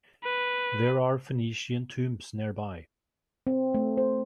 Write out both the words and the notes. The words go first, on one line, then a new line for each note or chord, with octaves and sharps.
There are Phoenician tombs nearby.
B4
C4
A3
C5